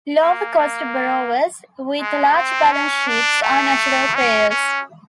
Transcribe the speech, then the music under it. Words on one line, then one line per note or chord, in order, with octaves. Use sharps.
Lower cost borrowers, with large balance sheets, are natural payers.
A#3
A#3
G#3
C4
C#4
D4
A3
C#4
C#4